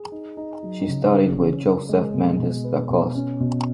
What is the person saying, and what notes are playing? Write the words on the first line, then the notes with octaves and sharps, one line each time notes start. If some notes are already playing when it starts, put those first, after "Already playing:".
She studied with Joseph Mendes da Costa.
Already playing: G#4
D#4
D#4
F#3
C#3
C#4
C#4
C#4
G#3
B2
B2
B4
B2
C#4
B2